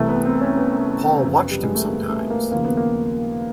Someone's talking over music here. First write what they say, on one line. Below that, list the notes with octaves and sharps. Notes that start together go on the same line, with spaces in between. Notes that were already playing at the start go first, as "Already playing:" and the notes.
Paul watched him sometimes.
Already playing: C2 C3 E3 A3
B3
C4
C#4
B3
F#2 C#3 F3
G3
G#3
A3
A#3
A3
A#3
D#2 C#3 F3 A#3
B3
A#3